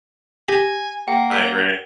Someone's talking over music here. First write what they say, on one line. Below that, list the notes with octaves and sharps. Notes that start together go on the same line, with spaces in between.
I agree.
G4 G#5 A#6
A#3 F#5 G5
A#4 B6 D#7